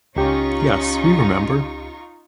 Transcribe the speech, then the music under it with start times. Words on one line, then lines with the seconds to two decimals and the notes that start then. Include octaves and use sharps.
Yes, we remember.
0.16 C#2 C#4 D#4 F4 G4 C#6